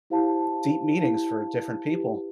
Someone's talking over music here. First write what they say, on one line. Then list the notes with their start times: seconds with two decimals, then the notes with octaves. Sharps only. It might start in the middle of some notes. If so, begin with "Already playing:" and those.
deep meanings for different people,
0.10 E4 G4 C5 F5 A5
0.99 E4 G4 C5 F5 A5
1.90 E4 G4 B4